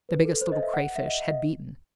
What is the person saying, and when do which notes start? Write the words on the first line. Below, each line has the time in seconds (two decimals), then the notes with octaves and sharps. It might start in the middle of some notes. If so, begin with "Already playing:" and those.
The Biggest Little Crayfish had beaten.
0.09 B4
0.25 A4
0.41 C5
0.52 D#5
0.63 E5
0.74 F#5
0.96 E5
1.06 D#5
1.30 D#5